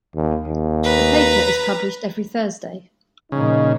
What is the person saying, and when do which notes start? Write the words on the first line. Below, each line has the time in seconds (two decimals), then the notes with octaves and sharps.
The paper is published every Thursday.
0.15 D#2
0.47 D#2
0.85 B4 A#5
3.32 A#2 C#3 F3 D#4